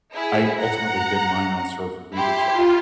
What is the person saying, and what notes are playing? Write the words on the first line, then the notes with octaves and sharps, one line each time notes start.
I ultimately did mine on servant leadership,
E4 G#4
F#5 A#5
E4 G4 C6
F4